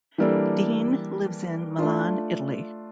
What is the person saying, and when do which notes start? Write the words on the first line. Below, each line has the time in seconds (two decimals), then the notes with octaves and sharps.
Deen lives in Milan, Italy.
0.18 E3 G3 A#3 D4 A4
1.78 A3 D4 F4